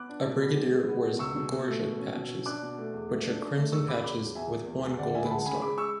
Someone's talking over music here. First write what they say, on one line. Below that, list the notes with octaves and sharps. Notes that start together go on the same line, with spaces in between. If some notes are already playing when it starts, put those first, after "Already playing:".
A brigadier wears gorget patches which are crimson patches with one golden star.
Already playing: B3 D6 F#6
D4
B2
B3
G#3
G#3
B3
B2
C#2 C#6 E6
B2
B2
A3
B2
C#4
B2
C#4
D4 D6 F#6
B2
A3
E2
A3
D4
D4
A3
E2 C#6 E6
C#3 B5 D6
F#3 B5 D6
E2
E2 E5 G#5
E2
E2
E2
D2 D5 F#5
D2 E5 G#5
B5
G#3 F#5 A5
C#3 G#5 B5
G#3 B5 D6
C#6 E6